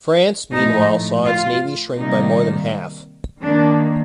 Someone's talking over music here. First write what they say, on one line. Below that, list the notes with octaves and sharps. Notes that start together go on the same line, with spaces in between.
France, meanwhile, saw its navy shrink by more than half.
A2 F3 A3 D#4
F4
C3 D#3 G3 A#3 D#4
D#3 A#3 D4